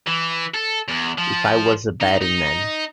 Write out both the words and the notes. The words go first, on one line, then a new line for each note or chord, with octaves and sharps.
If I was a betting man.
E3
A4
E2
F3
D#4
D#4